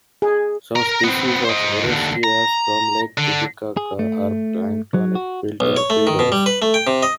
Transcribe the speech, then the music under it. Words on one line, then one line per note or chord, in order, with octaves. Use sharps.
Some species of "Orestias" from Lake Titicaca are planktonic filter feeders.
G#4
A#4 A#5
B3 C4
C5 D#5
D#2 D3
A#5
D3
G#4
A3
F#3
F#4
B1
C#5
A3
D#3
B2
G3
B4
A3
G5
C3
D#5